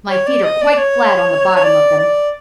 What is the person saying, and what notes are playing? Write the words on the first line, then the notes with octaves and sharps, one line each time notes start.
My feet are quite flat on the bottom of them.
C#5
D5
D#5
D5
C#5
C#5
D5
D5